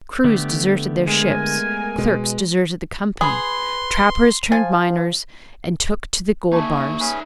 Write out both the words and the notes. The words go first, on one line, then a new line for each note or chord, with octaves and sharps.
Crews deserted their ships, clerks deserted the company, trappers turned miners and took to the gold-bars.
D3 A3 B3 G4
G#3 A#4 G#5
B2 G#3
G#4 B4 B5 C6 D#6
F3 F4 G#5
A#3 D#4 E5 G#5 A5 C#6
C#4 G#4 B4